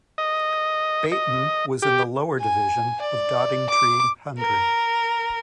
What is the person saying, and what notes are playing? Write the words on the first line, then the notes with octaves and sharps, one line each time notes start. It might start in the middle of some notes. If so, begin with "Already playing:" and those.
Bayton was in the lower division of Doddingtree Hundred.
D#5
D#5
G4
G#5
D5
D6
A#4